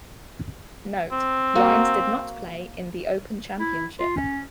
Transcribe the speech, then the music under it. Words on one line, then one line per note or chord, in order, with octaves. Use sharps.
Note: Vines did not play in The Open Championship.
C4
A#3 F#4
E4
F4
C#4